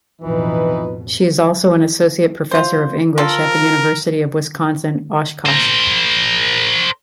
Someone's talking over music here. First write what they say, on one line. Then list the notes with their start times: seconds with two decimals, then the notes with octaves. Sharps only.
She is also an Associate professor of English at the University of Wisconsin-Oshkosh.
0.22 A1 F2 B2 E3 F3 D#4 B4
2.51 F4 C5
3.18 F3 A4 A#4
5.46 A#4 C5